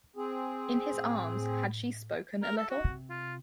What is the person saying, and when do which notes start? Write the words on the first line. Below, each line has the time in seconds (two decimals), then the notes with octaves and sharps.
In his arms had she spoken a little?
0.16 C4 G#4
0.92 A2
2.42 A#4
2.57 A4
2.70 F#4
2.84 C3
3.10 F4